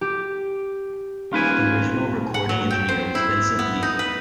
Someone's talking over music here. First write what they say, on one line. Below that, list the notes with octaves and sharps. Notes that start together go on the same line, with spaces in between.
The original recording engineer was Vincent Liebler.
G4
D#1 F4 B4 G#5
F#5
F#3
G5
C5
E4
B3
D#4
B4